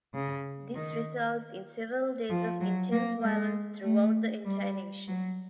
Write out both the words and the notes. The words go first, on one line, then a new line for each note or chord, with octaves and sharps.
This results in several days of intense violence throughout the entire nation.
C#3
D#3
F3
F#3
A#3
G#3
A3
G3
F#3